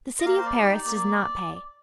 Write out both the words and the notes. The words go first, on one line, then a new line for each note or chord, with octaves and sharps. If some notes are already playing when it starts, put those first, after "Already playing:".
The city of Paris does not pay.
D#5
A#3 F5
C5
D5
D#4 G4
D5
A#3